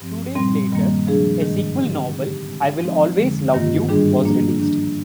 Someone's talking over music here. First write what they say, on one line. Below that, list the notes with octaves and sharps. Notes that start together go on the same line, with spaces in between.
Two days later, a sequel novel, "I Will Always Love You" was released.
G2 F3 C4
A#2 G3 C4
G2 D#3 G3 A#3
C3 F3 G#3 D4 G#4
G#2 D#3 G#3
D3 F3 C4 D#4 G4
D3 G#3 D#4 G4
D#3 G#3 C4
F3 G#3 C4 D#4
F2 D3 G#3
G2 D#3 A#3 F4
G#2 D#3 G3 D4 G#4
F3 A#3 D4
D#3 A#3 D4